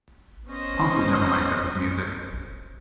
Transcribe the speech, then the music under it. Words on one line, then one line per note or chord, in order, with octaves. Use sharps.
Punk was never my type of music.
B3 C#4 C5 D#5